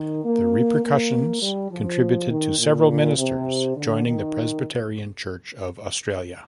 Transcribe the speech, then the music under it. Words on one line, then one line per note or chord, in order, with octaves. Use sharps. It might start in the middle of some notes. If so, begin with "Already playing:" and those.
The repercussions contributed to several ministers joining the Presbyterian Church of Australia.
Already playing: D#3
A#3
A#3
G3
F3
D#3
A#2
C3
D3
D#3